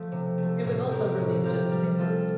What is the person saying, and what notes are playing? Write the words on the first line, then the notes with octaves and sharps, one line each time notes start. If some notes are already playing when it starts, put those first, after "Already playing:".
It was also released as a single.
Already playing: F3 A3
C3
A3
F3
A2
F3 C4 G4 A#4
A2
F3 C4 G4 A#4
G3
C4 F4 A4